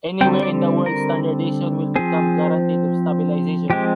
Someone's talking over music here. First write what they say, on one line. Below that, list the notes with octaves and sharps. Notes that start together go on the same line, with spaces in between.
Anywhere in the world standardization will become guaranteed of stabilization.
D3 G3 C4 G5
D5
A#4
F3 C4 G#4
F3 G#3 C4 G4